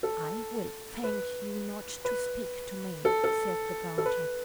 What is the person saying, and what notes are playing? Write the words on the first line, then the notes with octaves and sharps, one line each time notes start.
"I will thank you not to speak to me," said the garter.
A4
B4
B4
A4
A4
A4
B4